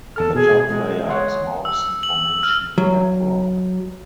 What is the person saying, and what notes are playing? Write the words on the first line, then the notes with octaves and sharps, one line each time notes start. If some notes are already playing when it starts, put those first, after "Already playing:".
The top layer is Morrison Formation caprock.
E2 A4 A5 F6
B2 G#4
G#3
C#5 F#5 C6
E6
F#7
F6
F#3